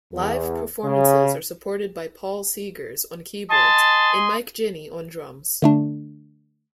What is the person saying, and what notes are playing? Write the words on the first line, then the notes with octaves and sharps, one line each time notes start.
Live performances are supported by Paul Seegers on keyboards and Mike Jenney on drums.
E2
C#3
D#5 G#5 A5 C6
D3 A3 D4